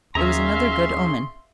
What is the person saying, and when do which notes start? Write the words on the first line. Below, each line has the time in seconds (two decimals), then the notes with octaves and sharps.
It was another good omen.
0.15 D#2 C#4 G#4 E5 F5 A#5 C6